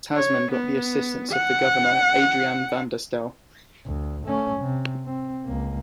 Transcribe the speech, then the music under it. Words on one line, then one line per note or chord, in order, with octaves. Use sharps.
Tasman got the assistance of the governor Adriaan van der Stel.
C#5
B3
F#5
D2
A3 C#4
C3
C4
C#2 A#3